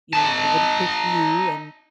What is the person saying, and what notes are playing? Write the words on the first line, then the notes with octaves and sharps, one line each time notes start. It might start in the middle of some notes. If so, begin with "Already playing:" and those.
you know, "I wouldn't push you and
D#4 A5